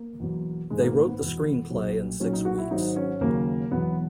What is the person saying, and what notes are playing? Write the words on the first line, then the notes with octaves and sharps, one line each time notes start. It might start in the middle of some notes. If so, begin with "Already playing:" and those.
They wrote the screenplay in six weeks.
Already playing: A#3
E2 B2 F#3
A#1 G#2 D#3 G#3
A#3
A#3
B3
E1 E2 B2
B1 A#2 F#3
B1 A#2 F#3 C#4
D#4
F#4
E4
G#1 G#2 F#3 D#4
C#4
D#2 C#3 F#3 A#3
E1 E2 B2 F#3 B3